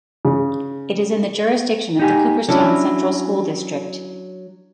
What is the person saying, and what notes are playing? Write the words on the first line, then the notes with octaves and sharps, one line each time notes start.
It is in the jurisdiction of the Cooperstown Central School District.
C#3
D#4 G4 G#5
F#3 C#4 D4 E4